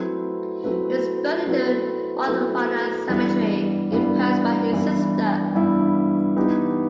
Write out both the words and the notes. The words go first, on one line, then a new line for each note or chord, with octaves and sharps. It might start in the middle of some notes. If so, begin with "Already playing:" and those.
He was buried in Montparnasse Cemetery in Paris by his sister.
Already playing: F#3 A3 C4 E4 B4
F#3 A3 C4 E4 B4
F#3 A3 C4 E4 B4
F#3 A3 C4 E4 B4
G2 E3 G3 B3 E4
G2 E3 G3 B3 E4
G2 E3 G3 B3 E4
G2 E3 G3 B3 E4
E3 B3 D#4 G4